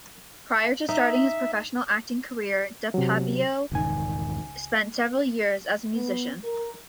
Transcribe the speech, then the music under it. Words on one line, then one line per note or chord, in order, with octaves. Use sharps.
Prior to starting his professional acting career, DePaiva spent several years as a musician.
D#4 E5
C3 F#3
E1 C#2 G#2 D#3 G#5
B3
A#4